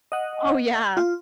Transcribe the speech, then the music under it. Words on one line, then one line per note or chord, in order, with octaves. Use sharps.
Oh yeah,
D#5 F#5
F4